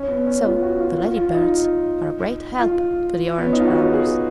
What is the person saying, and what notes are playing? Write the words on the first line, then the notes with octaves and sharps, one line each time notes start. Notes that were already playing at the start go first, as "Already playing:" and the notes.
So the lady-birds are a great help to the orange-growers.
Already playing: C#4
B3
C#4
F4
F#4
F4
F4
F4
F4
D#4
F4
B3
C#4
D#4
F4
F#4
G#4